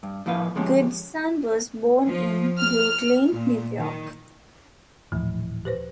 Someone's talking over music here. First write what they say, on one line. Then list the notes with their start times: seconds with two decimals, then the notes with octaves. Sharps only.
Goodson was born in Brooklyn, New York.
0.03 G2
0.26 A2 F3 A#3 E4 B4 F5
0.55 D3 F3 G#3 C#4 G4
2.06 F3
2.59 F6
3.32 A#2
3.76 D#3
5.12 D#1 A2 E3 F3
5.65 G4 B4 C5